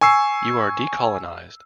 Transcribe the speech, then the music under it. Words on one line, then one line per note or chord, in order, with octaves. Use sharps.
You are decolonized.
G#5 C#6 E6 C7